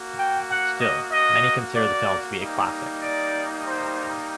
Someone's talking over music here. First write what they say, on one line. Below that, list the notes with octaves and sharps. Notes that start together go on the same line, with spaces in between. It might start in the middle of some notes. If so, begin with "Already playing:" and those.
Still, many consider the film to be a classic.
Already playing: A#3 F#4
G5
F#5
D#5
D#5
D5
G3 A#3 D#4
D5
C5